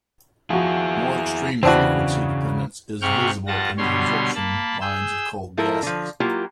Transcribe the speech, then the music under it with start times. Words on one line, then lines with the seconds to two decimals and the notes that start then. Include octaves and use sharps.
More extreme frequency-dependence is visible in the absorption lines of cold gases.
0.50 F3 E4 F#4 G#4
1.63 E2 C#3 C4 D4 E4 F#4
3.01 G#2 C3 F#5 G5 C#6 F6
3.47 G2 F4 F#5 A5 A#6
3.77 B2 D3 G3 C#5 C6
4.35 A#3 A5 B5
4.81 G#4 E6 G6
5.57 F3 E4 A4 A#4
5.82 D3 F3
6.20 F#3 A#3 E4 F4 G4